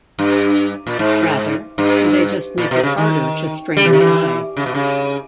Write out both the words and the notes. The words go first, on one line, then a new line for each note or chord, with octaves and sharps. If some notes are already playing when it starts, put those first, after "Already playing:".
Rather, they just make it harder to strain the eye.
G2
A#2
G#2
G2
A#2
B2
C#3
D#3
G3
E3
D#3
E3
C#3
B2
C#3